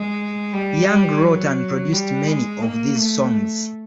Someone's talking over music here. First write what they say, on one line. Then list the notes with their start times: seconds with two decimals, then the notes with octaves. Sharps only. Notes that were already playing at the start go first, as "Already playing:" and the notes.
Young wrote and produced many of these songs.
Already playing: G#3
0.53 G3
1.22 F#3
1.92 G3
2.27 G#3
2.61 A#3
2.95 A3